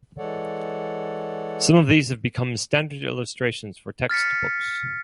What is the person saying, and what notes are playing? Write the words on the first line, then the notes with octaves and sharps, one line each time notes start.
Some of these have become standard illustrations for textbooks.
E3 G#3 A4 C#5 D5 F#5
F6 A6 B6 C#7